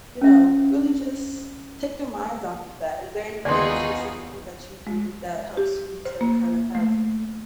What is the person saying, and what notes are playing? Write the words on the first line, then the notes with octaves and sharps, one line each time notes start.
you know, really just take their minds off of that. Is there anything specifically that you do that helps you to kind of have
C#4 E5
D#2 B3 D#4 F4 F#4 G#4 D5 C6
G#3
G4
C5
A#3
A3